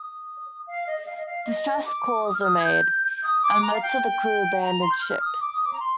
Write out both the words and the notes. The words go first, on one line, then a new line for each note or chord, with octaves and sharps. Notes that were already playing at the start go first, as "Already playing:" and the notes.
Distress calls were made, and most of the crew abandoned ship.
Already playing: D#6
F5
D#5
D#5
F5
D#5
F5
D#5
D6
D#6
F6
D#6
G#6
G6
G6
D#6
D6
A#5
F5
G5
A#5
C6
G6
F6
D#6
D6
D#6
D6
A#5
C6